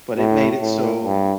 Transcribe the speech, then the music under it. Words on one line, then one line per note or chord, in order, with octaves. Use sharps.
but it made it so,
A2
A2
G2